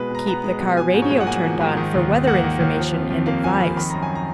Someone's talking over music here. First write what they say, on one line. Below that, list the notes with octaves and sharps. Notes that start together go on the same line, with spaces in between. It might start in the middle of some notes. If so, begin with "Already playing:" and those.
Keep the car radio turned on for weather information and advice.
Already playing: B2 G#3 B4
B2 A#5
B3 A#5
G#3
B2
F3 G#5
G#2
C#5
G#2
F#5
A#3 G#5
F3
G#2
D#3
D#2
D#2
A#3 F#5
D#3
D#2
F3
F2
F2
A#3 F5
F3 G#5
F2 B5
D#3 B5
F#2 A#5
G#5
A#5